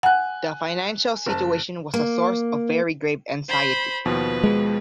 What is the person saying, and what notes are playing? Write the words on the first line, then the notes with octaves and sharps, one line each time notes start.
The financial situation was a source of very grave anxiety.
F#5 G#5 F#6
F#1 A5
A#3
C5 B5
D#2 B2 F3 B4
G#3